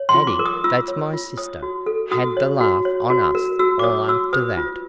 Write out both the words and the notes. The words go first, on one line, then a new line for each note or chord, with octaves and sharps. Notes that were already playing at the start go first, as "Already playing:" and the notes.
"Addie--that's my sister--had the laugh on us all after that."
Already playing: C#5
C6
F4
D6
A#4
D#6
F4 E6
C#5
F4
C#5 D#6
F#4
A4
F#4 D#6
C#5
F#4
C#5
F#4
A#4
F#4 E6
D6
C#5 D#6
F#4 E6
B4 D#6
F4